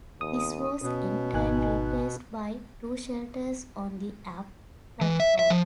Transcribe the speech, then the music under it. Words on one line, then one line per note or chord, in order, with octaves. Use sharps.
This was in turn replaced by two shelters on the Up platform.
D#2 D#6
B2 C#4
G#1 D#4 G#5 F#6
E3
E5
E5
F3